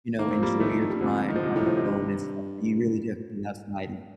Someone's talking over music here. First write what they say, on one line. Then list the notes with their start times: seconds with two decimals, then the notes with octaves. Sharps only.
you know, enjoy your time on the phone and stuff, but you really do have to get outside and
0.18 D#3 A#3
0.31 C4
0.39 F3 G3 A#3
0.60 D#3 F3 A3
0.81 D#3
0.90 G2 G3
1.01 F2 D3 F3
1.28 D#3
1.36 F3
1.43 C3 D#3
1.55 A2 D#3
1.66 F3
1.77 C3 D#3
1.84 G2